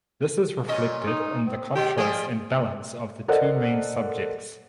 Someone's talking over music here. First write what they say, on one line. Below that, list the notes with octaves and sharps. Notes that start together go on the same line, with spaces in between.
This is reflected in the contrast and balance of the two main subjects.
A#2 C#4 D#5
D#4
C4
F#2 C3 G#3 G4
F3 G3 G#4
A4 A#4 C5 D5 D#5 F#5